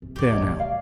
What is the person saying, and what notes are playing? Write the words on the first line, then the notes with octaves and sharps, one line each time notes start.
There, now.
C3
E2 C3 G4 D5
A1 C3 C#5 D#5 A5
D#3 G3
F5